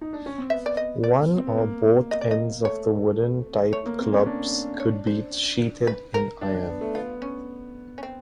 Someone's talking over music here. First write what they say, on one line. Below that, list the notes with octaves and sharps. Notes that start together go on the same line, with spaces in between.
One or both ends of the wooden type clubs could be sheathed in iron.
D#4
D4
C#4
C4
B3 E5
D5
D#5
D5
C4
B3
A#3
D#5
D5
D#5
A3 C#5
A3 C#5
A#3
C4
C#4
D4
C#5
C5
B4
A#4
D4
D4
B3
A3
B3 F4
C#4
C#4
C4